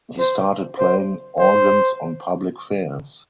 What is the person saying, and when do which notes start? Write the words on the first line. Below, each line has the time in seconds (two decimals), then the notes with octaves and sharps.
He started playing organs on public fairs.
0.19 C5
0.78 C5
1.39 C5